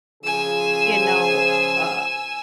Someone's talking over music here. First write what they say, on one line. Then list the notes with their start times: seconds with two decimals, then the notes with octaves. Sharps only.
you know, uh
0.24 C#3 F3 G#4 G#5 E6